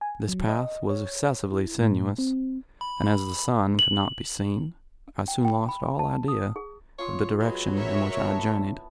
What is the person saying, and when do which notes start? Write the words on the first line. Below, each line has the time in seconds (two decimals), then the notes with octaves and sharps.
This path was excessively sinuous, and as the sun could not be seen, I soon lost all idea of the direction in which I journeyed.
0.01 G#5
0.29 F#3
0.48 D#5
0.90 C#5
1.52 E4
1.80 A2
2.18 C4
2.81 B5
3.79 F#7
5.28 G5
5.45 G5
5.69 B5
5.99 A5
6.28 D#6
6.56 G#4
6.99 F4 C#5 C6 D#6
7.40 F#3 G#3 B4 D#5
7.75 A#4 C#5 E5
8.18 B3 E4 A5